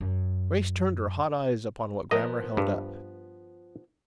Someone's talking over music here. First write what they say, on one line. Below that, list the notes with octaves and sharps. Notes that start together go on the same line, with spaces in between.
Grace turned her hot eyes upon what Grammer held up.
F#2
F3 B3 A#4 D#5
G2